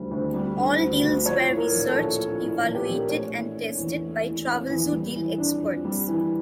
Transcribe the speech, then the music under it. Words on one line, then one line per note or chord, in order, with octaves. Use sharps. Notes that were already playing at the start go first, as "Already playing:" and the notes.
All deals were researched, evaluated and tested by Travelzoo Deal Experts.
Already playing: D2 D3 G3
D2
G3
D3
D2
D2
F3 C#5
A2
A#4
A#1
A4
A#1
F3
A2
A#1
G4
A#1 A4
A#4
A3 C#5
E3
C#4
E2
A3
E3
C#4
E2
G3
E3
D4
F2
G3
E3